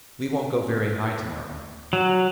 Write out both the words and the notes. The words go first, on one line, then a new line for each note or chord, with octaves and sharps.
We won't go very high to-morrow.
F#3